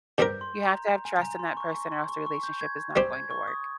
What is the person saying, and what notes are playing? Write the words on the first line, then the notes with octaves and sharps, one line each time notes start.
You have to have trust in that person or else the relationship is not going to work.
G2 G3 C4 G4 A#4 G6
C6
A#5
A#5
G#5
A#5
C6
C#6
C#6
C6
C#6
C#6
G6
G#6
G3 C4 G4 C5
G#6
C#6
D#6